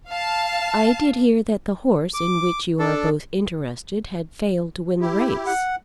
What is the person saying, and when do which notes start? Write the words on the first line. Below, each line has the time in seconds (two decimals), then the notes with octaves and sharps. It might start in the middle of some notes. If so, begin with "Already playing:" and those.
"I did hear that the horse in which you are both interested had failed to win the race."
0.10 F5 A5
2.14 D6
2.79 D4 A4
5.01 E4 G4
5.46 F#5